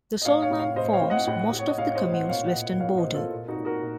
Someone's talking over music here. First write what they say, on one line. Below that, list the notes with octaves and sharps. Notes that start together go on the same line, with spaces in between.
The Solnan forms most of the commune's western border.
D#5
A2 C#5 F5
C#5 F5
A2
C#5 F5
A2 C5 D#5
C#5 F5
A2
D#5 F#5
A2
A2
C#5
D#5
A2 C#5 F5
C#5
C5 D#5
A2
D#5 F#5
A#2 C#5 F5
D#5 F#5
A#2
A#2 C#5 F5
C5 D#5
A#2
F4 A4
A#2
D#4 F#4
A#2
F#4 A#4
A#2